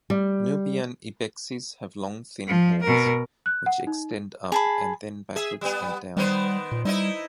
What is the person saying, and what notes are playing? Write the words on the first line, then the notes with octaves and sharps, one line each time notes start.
Nubian ibexes have long thin horns which extend up and then backwards and down.
G3
F3
B2 A#4
F#6
F#5
D#4
G#4 A5 B5
G#4 E5
G3 B3
D#3 G3 B3 C5
A#2
G3 D#4 E4 D#5